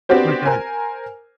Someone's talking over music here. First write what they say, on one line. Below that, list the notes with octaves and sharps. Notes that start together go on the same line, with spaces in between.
Oh my god.
B3 C4 D4 F#4 G4 C5
A#4 C5 G#5